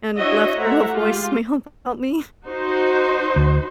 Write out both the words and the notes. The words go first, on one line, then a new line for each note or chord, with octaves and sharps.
and left her a voicemail about me.
D4 E4 F#4 C#5 D#5 E5
A3 E4 C5 E5 F#5 A#5
G#3 F4 G4
D#4 F#4 C5
D2